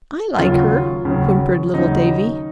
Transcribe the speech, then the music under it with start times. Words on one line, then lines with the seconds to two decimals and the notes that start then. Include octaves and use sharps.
"I like her," whimpered little Davie.
0.36 D#2 C#3 F#3 F4
1.05 D#2 C#3 F#3
1.73 D#2 C#3 F#3 D#4